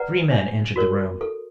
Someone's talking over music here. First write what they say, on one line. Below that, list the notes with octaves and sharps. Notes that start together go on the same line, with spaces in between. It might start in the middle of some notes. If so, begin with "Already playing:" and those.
Three men entered the room.
Already playing: B4 D5 F#5 A#5
D4
F#4 A#4 C#5
A4